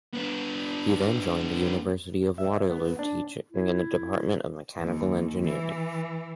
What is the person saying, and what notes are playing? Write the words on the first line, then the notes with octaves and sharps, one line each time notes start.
He then joined the University of Waterloo teaching in the department of mechanical engineering.
B3 D4
E5
B3
D4
E4
D#2
E3